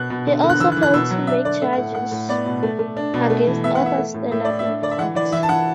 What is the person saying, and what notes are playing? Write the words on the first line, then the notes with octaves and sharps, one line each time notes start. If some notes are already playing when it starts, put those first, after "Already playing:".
He also failed to make charges against Arthur stand up in court.
Already playing: B2 F#6
B2
D3
D3
F#6
E3 E6
F#6
E3
F#6
B2 E6
F#3
D4 E5
D3 D5
A3 E5
F#5
A2
A3 F#5
A2
B3 D5
B2
A3
A3
D4
B2
A3
E3
B3 E5
F#5
E3
E5
A3
A2
A2 E5
E4 D5
E5
D4
D3 D5
E5
E3 F#5
E3 D5
E3 E5
A5
E3 F#5